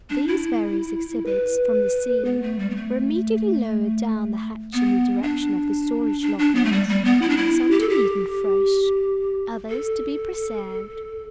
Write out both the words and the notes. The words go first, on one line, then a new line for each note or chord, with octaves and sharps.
These various exhibits from the sea were immediately lowered down the hatch in the direction of the storage lockers, some to be eaten fresh, others to be preserved.
D4
E4
B4
B3
A3
G3
B3
A3
B3
D4
D4
D4
B3
A3
G3
G3
B3
E4
D4
E4
G4
A4
G4
A4